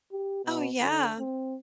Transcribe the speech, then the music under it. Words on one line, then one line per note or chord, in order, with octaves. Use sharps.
Oh, yeah.
G4
B2
D3
C4